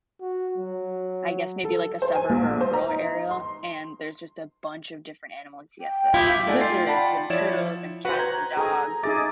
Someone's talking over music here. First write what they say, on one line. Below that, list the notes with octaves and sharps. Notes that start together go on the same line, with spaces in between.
I guess maybe, like, a suburb or a rural area, and there's just a bunch of different animals, you get the lizards and turtles and cats and dogs,
F#4
F#3
A4
C5
G#5
A#1
C5
A#5
D#4
C6
G5
E4 F4 G4
A3 D#4 D5 F#5 G#5
F4 G5 C6 A6 C7
D5 F#5 G5 A5 B5
F3 E4 C#5 D5 E7
F#4 B4 C5 F#5
A#5 G#6
G#4 A4 G#5 A#5
D#4 G#4 E5 D6 A6 A#6